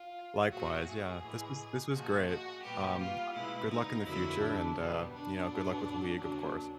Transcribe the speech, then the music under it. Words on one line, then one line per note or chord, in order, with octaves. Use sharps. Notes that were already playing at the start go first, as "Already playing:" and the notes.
Likewise, yeah. This was this was great, um, good luck in the future, and, uh, you know, good luck with League, of course.
Already playing: F4
A#2 F#3 A3 F#4
G#4
A2 E3 G#3
A#2 F3 G#3 F#4
F#4
A#2 G3 B3 G4
F4
B2 G#3 B3 E4
D#4
F2 D3 F#3 A#3 E4
D4
B2 G3 B3
D4
A2 F#3 B3
D#2 C#3 F#3 A#3 D4